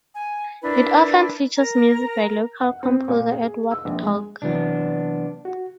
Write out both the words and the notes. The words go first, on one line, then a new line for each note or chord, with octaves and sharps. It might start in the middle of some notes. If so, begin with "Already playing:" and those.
It often features music by local composer Edward Elgar.
G#5
D4 E4 A#4 B4
A#4 A#5
F#5
C4
A#2
G#4
E6
A#1
G#3
C3 E3 F#3 B3 D4
F#4